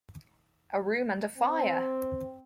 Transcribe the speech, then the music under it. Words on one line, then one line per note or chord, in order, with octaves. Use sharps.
A room and a fire!
C4